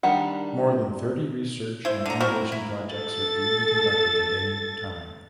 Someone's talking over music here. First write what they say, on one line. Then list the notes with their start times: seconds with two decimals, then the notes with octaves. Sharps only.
More than thirty research and innovation projects are being conducted at any time.
0.03 D#3 G3 D4 F#5
1.85 E4 C5
2.06 D3 A#5
2.20 C4 E4 F#4 A#4
2.52 E4
2.95 A4 A6